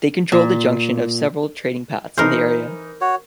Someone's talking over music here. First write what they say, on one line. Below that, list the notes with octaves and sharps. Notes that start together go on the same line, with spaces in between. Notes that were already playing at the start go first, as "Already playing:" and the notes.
They controlled the junction of several trading paths in the area.
A#2
E3 D#4 A#4 C5
F#4 C#5